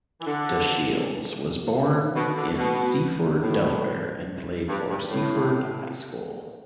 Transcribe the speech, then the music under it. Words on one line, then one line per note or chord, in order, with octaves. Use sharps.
DeShields was born in Seaford, Delaware and played for Seaford High School.
E3
D3
B2
D3
B2
A2
G2
G2
A2